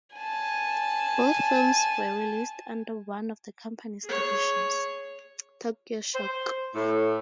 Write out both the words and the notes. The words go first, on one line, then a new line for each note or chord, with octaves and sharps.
Both films were released under one of the company's divisions, Tokyo Shock.
G#5 A5
G#4 C#5
C5
A2